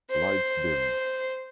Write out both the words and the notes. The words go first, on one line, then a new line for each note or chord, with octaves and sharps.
The lights dim.
C5